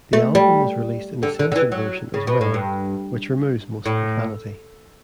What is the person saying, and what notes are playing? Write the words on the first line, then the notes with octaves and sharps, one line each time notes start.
The album was released in a censored version as well which removes most profanity.
A3
G3
D3
D3
D3
E3
F#3
C#3
B2
A2
G2
A2